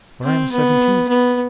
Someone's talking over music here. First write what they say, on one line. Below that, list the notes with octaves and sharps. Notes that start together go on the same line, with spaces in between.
When I am seventeen.
C4
B3
B3